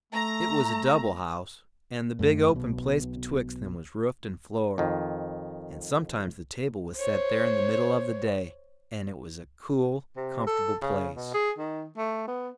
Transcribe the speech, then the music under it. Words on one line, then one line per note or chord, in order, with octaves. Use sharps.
It was a double house, and the big open place betwixt them was roofed and floored, and sometimes the table was set there in the middle of the day, and it was a cool, comfortable place.
A3 A#5
F#2 A3
B1 B2
F2 D#3
C5 C#5
C3
A4
C#3
B2
G#4
D#3
A3
B3